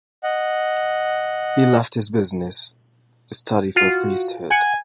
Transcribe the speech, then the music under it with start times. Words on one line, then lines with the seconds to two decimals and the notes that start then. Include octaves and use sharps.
He left his business, to study for the priesthood.
0.23 D#5 F#5
3.76 F4 F#4
4.51 F#5 G#5